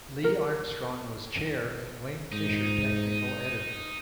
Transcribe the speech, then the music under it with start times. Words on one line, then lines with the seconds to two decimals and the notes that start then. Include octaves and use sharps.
Lee Armstrong was chair and Wayne Fisher technical editor.
0.24 A#4
2.32 G#2 D#4